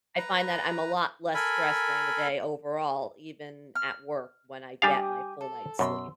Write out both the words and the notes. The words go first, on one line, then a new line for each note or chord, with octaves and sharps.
I find that I'm a lot less stressed during the day overall even at work when I get my full night's sleep.
B4 A#5
A4 A#4 G#5 B5
F6
G3 D4 G4 F5 G#5 D#6
A4
F#2 B2 C6 E6